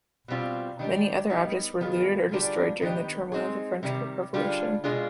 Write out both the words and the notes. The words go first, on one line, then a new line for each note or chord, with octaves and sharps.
Many others objects were looted or destroyed during the turmoil of the French Revolution.
B2 G3 C4 F4
D#3 G3 D4 G4
G3 B3 D#4
D#3 B3 F4 G#4
D3 G3 D4 F4 G#4
D#3 B3 D4 G4
G#3 C4 D#4 G#4
C3 D#3 G3
D3 G3 D4 F4 G#4
B2 G#3 D4 F4 G#4